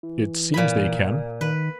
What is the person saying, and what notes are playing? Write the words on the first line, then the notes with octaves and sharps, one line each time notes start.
"It seems they can."
E3
A#2 G#5 B5
D#3 B4